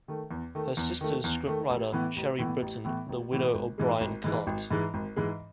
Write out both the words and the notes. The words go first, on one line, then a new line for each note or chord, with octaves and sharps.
Her sister is scriptwriter Cherry Britton, the widow of Brian Cant.
D#3 A3
E2
D#3 A3
E2
D#3 A3
E2
D#3 A3
A1
A2 E3 B3
A1
A2 E3 B3
A1
A2 E3 B3
A1
A2 E3 B3
G#1
G#2 E3 G#3
G#1
G#2 E3 G#3
G#1
G#2 E3 G#3
G#1
G#2 E3 G#3